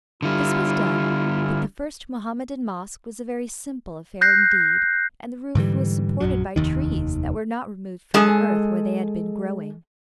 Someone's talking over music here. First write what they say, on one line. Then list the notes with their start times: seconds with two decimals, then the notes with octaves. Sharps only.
This was done, but the first Mohammedan mosque was a very simple affair indeed and the roof was supported by trees that were not removed from the earth where they had been growing.
0.22 D3 G3 E4 F4
4.21 F#6 G6 A#6 C7
5.55 G#2 D3 E3 G3
6.20 A#1 F#2 F#3
6.56 F1 D#2 D#3
8.14 G#3 G#4 A4